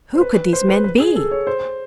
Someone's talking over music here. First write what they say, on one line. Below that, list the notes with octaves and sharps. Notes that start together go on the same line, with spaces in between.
Who could these men be?
C5
B4
C5
B4
B4
G#4
A4
C#5
C5